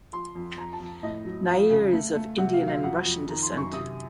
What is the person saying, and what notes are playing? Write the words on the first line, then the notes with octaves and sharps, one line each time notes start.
Nair is of Indian and Russian descent.
F3 C6
F2
F2 A#5
A5
F2
A2 D#5
F#3
F2 F5
C#3
A3
A3
C3 F#5
F5
F#3
F5
F2 F#5
F2
D#3 A#5
C6
F#2
C#6
C3 D#6